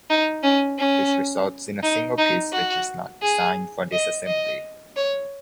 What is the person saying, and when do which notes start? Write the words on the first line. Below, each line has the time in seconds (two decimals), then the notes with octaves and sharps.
This results in a single piece which is not designed for disassembly.
0.10 D#4
0.43 C#4
0.79 C#4
1.83 D#4
2.18 D#4
2.53 F#4
3.22 G#4
3.92 D#5
4.27 D#5
4.96 C#5